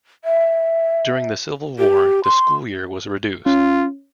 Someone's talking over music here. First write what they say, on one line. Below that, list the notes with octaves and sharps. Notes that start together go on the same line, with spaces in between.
During the Civil War, the school year was reduced.
E5
G4
C6
C#4 F4